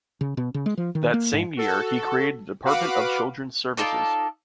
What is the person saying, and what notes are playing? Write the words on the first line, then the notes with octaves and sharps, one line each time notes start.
That same year, he created the Department of Children's Services.
C#3
B2
C#3
G#3
F3
D#3
A#3
G#2
F#4 A4
F#4 B4 F5 F#5 B5 D6
D#4 F4 A4 D5